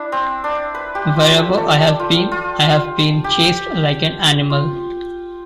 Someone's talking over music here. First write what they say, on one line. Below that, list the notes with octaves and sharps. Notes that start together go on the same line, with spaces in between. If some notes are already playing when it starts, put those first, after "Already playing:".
Wherever I have been, I have been chased like an animal.
Already playing: D4 E4
C4
D4
B4
G4
F4
A4
A4
G4
F4
F4
G4
F4